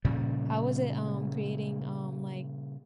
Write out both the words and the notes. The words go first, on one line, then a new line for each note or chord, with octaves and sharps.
How was it, um, creating, um, like,
A#2 C#3 F3 G3